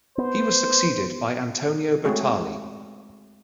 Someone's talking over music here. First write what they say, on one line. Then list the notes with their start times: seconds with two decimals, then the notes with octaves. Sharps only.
He was succeeded by Antonio Bertali.
0.18 B3 C5
2.05 G#3 A3 C4 F#4 G#4 C#5